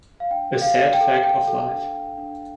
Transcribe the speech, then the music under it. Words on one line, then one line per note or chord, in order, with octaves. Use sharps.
A sad fact of life.
F5
D4 G5
A4
F5
A4
G5
A4
A4 G5
A4
D4
D4
D4